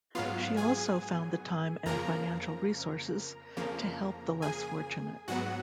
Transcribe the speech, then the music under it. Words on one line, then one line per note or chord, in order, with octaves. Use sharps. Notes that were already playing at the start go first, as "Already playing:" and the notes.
She also found the time and financial resources to help the less fortunate.
G#2 F#3 B3 F4 F5
G#4 G#5
F2 C#3 F3 A#3 A#4 A#5
F2 C#3 F3 A#3
G#4 G#5
G#2 F#3 B3 F#4 F#5